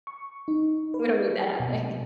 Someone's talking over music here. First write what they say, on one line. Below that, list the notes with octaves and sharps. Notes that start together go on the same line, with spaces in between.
We don't need that happening.
C#6
D#4
B4
B2